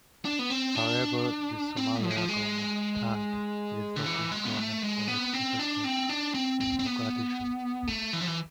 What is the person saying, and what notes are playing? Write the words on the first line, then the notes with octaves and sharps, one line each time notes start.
However the Somalia government thanked the Ethiopian government for its assistance in Mogadishu.
D4
B3
C4
D4
C4
F3
G#3
F3
G#3
D3
E3
G#3
B3
A3
G#3
B3
C4
D4
C4
D4
C4
C4
C4
B3
A3
E3
F3
E3